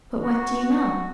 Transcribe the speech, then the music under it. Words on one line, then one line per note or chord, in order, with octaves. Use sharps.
But what do you know?
F#4
F#4